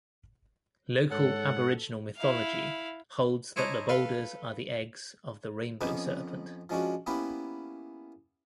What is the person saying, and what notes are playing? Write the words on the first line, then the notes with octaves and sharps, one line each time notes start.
Local Aboriginal mythology holds that the boulders are the eggs of the Rainbow Serpent.
G#2 A4 C#5 F#5
E4 F5
E4 C5 C#5 D#5 A5 A#5
A4 B4 F5
F2 B3 C#4 D#4 B5 D6
F3 G#3 C#4 D4 F#4
A#3 B3 C#4 E4 G4 B4